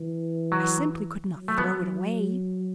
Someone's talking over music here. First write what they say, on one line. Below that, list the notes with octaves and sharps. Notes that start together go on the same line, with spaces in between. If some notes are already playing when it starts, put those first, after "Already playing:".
I simply could not throw it away.
Already playing: E3
F#3
F#3
A3
B3